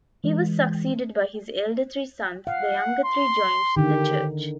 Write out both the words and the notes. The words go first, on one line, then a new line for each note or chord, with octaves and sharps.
He was succeeded by his elder three sons, the younger three joined the Church.
E3 G#3
F5 F#5
C6
D3 D#3 G4